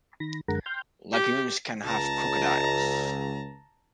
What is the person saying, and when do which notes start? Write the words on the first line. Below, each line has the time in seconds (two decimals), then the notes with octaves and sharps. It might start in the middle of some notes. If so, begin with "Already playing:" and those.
Lagoons can have crocodiles.
0.20 D#3 B5 A#6
0.48 F#2 D3 G#3 A#4 F#5 A#5
0.66 G5 C6 F6 G6
1.13 G4
1.85 C#2 A5 A#5